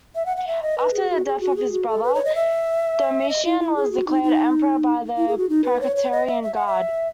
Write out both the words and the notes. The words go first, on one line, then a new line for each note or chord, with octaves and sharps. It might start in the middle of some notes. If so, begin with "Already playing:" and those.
After the death of his brother, Domitian was declared emperor by the Praetorian Guard.
E5
F#5
F#5
E5
D#5
B4
G#4
F#4
G#4
F#4
G#4
F#4
A4
B4
C#5
D#5
E5
D#5
E4
E4
G#4
F#4
D#4
D#4
E4
G#4
F#4
D#4
B4
C#5
C#5
D#5
E5
E5
F#5
E5